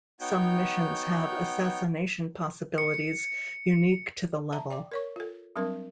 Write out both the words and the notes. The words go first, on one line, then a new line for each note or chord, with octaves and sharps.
Some missions have assassination possibilities unique to the level.
B3 D#4 F#4 C#5 G5 G6
C#7
E5 A5 A#5
D5 G5 D6
A#4 C#5 C#6
F4 A4
F#3 G3 C4 D4 A#4